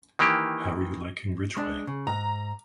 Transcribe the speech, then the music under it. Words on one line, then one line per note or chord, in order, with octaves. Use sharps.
How are you liking Ridgeway?
D#3 E3 A#3 G4
G#3 D4
C#3
G#2 A#5